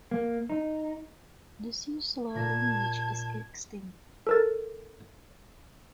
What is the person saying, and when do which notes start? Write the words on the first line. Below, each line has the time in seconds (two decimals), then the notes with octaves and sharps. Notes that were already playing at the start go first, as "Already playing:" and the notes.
The Siuslaw language is extinct.
0.11 A#3
0.50 D#4
2.34 A#2 A5 G#6 A#6
4.27 A4 A#4 A6